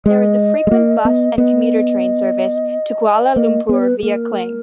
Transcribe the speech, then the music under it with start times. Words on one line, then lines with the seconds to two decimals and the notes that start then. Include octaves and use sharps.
There is a frequent bus and commuter train service to Kuala Lumpur via Klang.
0.06 G#3 D#5
0.67 G#3
0.71 A#3
1.05 B3
1.38 B3 D#5
3.36 A#3 D#5
3.69 B3 C#5
3.81 B4
3.98 G#4
4.03 A#3 A#4